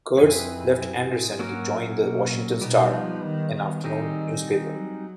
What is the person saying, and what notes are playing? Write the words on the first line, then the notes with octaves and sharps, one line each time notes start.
Kurtz left Anderson to join the "Washington Star", an afternoon newspaper.
F2 C4 E4 G#4 B4
F#2
G#2
G#2 F#3 A#3 C#4 F#4 A#4
A#2
B2
A#2
B2 G3 B3 D#4
F3
D#3
D#3
G3 C4 D#4 G#4
D#3
F#3